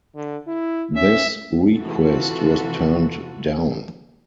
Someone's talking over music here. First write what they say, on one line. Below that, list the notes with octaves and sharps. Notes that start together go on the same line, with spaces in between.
This request was turned down.
D3
E4
C#4 E5
C3 E3 F4 F#4 A4